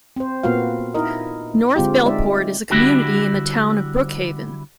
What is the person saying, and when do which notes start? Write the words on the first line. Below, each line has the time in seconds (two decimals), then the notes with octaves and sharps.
North Bellport is a community in the Town of Brookhaven.
0.16 C4 C5
0.43 A#2 A#3 B3 F4 F#4 F5
0.94 D#4 E4 A#4 D#5
1.76 D3 G#3 C4 F4 G4
2.06 G#3 D#4 D5 E5
2.70 D3 G3 D4 E4 F#4 G4